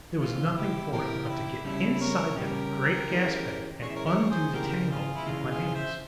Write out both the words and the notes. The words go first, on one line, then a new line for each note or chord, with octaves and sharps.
There was nothing for it but to get inside that great gas-bag and undo the tangle with my hands.
C#2 C3 E3 F4
E4 G4
C#2 C3 E3 G4 A#4
F4
E4 G4
C#3 G3 C#4 E4
A#4 C#5
C#3 G3 C#4 G4 A#4
E3 G#3 C#4
E3 G#3 C#4 C#5
E5
A#4 C#5
A#4 C#5
A#4
G#4 C5
C#2 C#3 E3 G#3 G4 A#4
F4 G#4
E4
C#2 C#3 E3 G#3 F4
F4 G#4
C5 E5